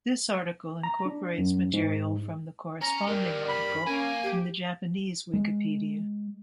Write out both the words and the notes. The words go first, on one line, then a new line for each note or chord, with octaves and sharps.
This article incorporates material from the corresponding article in the Japanese Wikipedia.
A#5
D4
F#2
G#2
C#4 A#5
G2 G3 A#4
B5
A#3 C#4 G#5
G4
G#3